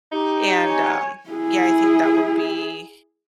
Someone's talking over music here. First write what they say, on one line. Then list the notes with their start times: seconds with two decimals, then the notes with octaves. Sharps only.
And, um, yeah, I think that would be
0.12 D#4 G4
0.65 C#5 G#5
1.30 E4 G#4